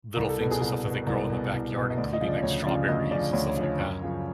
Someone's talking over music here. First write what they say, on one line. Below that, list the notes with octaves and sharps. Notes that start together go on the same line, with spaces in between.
little things and stuff that they grow in the backyard, including, like, strawberries and stuff like that.
C2 A#4
A4
B2 A4
G#4
C2 G#4
B2
C2 A#4
B2
C2
B2
D#5
D2 D5
D#5
C#3 F3
D5
D2 C#5
C#3 F3 D5
D2 D#5
C#3 F3 D5
D2 C#5
C#5
C#3 F3
C#5
F#2
C#3 F3